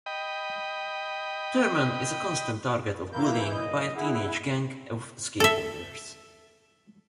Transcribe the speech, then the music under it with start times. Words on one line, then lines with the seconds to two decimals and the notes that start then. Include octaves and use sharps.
Thurman is a constant target of bullying by a teenage gang of skateboarders.
0.06 D#5 G5 B5
3.13 E3 A#3 E4 G6
3.50 F#2 A#2 D#5
3.95 E4 G#4 F#5
5.40 A4 E5